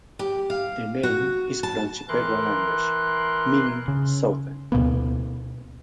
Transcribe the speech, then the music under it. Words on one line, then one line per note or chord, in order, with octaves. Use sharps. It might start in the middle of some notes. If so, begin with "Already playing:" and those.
The name is from the Chippewa language, meaning "southern".
G4
F5
F#4
A5
E3 A#4 C6 F#6
C#3
D2 B2 A#3 B3